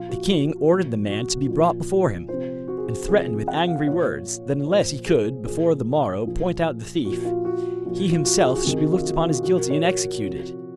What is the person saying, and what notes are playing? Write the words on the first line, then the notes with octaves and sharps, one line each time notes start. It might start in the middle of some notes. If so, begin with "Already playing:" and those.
The king ordered the man to be brought before him, and threatened with angry words that unless he could before the morrow point out the thief, he himself should be looked upon as guilty and executed.
Already playing: A#2 F3 F4
F#4
A#2 F3
F#4
A#2 F3
C3 F3 C5
F#4
G#4
F#4
C3 F3 G#4
G#4
F#5
F5
A#2 F3 C#5
A#2 F3 C5
G#4
A#2 F3 G#4
A#2 F3
A#2 F3 F#4
F4
F#4
A#2 F3
F4
F#4
G#4
F#4
F#4
C3 D#3 G#4
F#4
F4
F#4
F4
F#4
A#2 F3 F#4
A#4
C#5
F#4
C3 F3